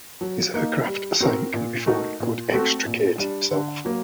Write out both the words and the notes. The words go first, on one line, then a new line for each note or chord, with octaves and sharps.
His aircraft sank before he could extricate himself.
F#3
A#3 D#4
G3
C4 F#4 A#4
A#2
A3 D#4 F#4 A#4
A#2
A3 C4 F#4 A4
A#2
G3 D4
D3
F#3 A#3